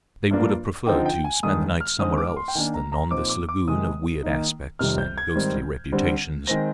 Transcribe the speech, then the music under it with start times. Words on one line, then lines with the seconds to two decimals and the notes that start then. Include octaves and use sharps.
They would have preferred to spend the night somewhere else than on this lagoon of weird aspect and ghostly reputation.
0.31 G2 F3 A#3 D4
0.87 D3 F3 C4 D#4 G5
1.06 G5
1.24 G#5
1.43 G2 D#3 G#3 D#4 D#6
1.81 F6
1.99 D3 G#3 C4 D#4 D#6
2.18 D6
2.36 C6
2.48 G5
2.55 D#3 A#3 D4 G#5
2.74 A#5
2.92 A#5
3.11 A#2 F3 C4 D#4 D6
3.29 D6
3.49 D6
3.67 C3 D#3 G#3 D#6
4.23 D#3 A#3 D#4
4.79 F2 C3 D#3 G3 F6
4.98 G6
5.18 G#6
5.35 G#2 D#3 G3 C4
5.92 D3 G3 C4
6.47 D#3 G#3 C4 A#6